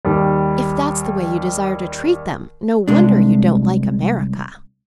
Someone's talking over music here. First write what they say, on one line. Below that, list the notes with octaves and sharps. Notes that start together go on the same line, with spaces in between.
"If that's the way you desire to treat them, no wonder you don't like America."
D#2 G3
C2 G#3 D4